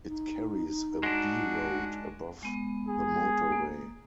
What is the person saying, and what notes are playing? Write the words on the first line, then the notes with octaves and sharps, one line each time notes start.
It carries a B road above the motorway.
D#4
G#3 D4 F#4
G#3 B3
G#4
A#3